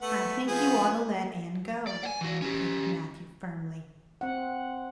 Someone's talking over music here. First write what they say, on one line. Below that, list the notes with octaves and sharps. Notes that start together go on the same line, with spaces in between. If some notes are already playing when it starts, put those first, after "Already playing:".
"I think you ought to let Anne go," repeated Matthew firmly.
A3 B3 F#5
F3 B3 G#4
D5
F#5 G#5
E3 F#4
C#4 G4
C4 F#5